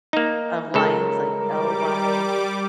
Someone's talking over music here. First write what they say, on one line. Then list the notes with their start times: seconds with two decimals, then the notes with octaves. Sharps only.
um, Lyons, like L-Y
0.13 A#3 D#4
0.74 C#2 C#3 A4 A#4
1.37 G3 D6